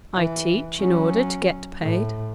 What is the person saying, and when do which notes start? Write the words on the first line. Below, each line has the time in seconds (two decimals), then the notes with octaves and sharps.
'I teach in order to get paid.'
0.14 E3
0.79 F#3 C#4
1.81 A2